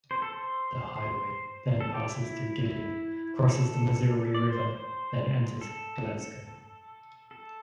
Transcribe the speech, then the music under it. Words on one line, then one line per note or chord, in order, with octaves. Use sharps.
The highway then passes through Gilliam, crosses the Missouri River, then enters Glasgow.
C5
A4
C5
C5
A4
G4
E4
E4
A4
D5
C5
C5
A4
A4